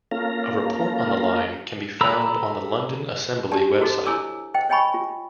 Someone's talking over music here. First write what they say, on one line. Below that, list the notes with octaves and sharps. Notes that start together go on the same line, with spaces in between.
A report on the line can be found on the London Assembly website.
A#3 C#4 F4 A4 F5 A#5
A4 A#5 B5 E6
D4 G4 D5 A5
E4 F#4 A4 D#5
E4 C5 C#5 G#5 D6 E6
C5 D#5 G5
C#5 D#5 G5 G#5 B5 C#6
F4